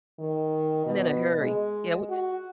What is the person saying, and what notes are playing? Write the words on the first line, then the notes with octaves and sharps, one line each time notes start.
and in a hurry, yeah we
D#3
B2
G#3
F#4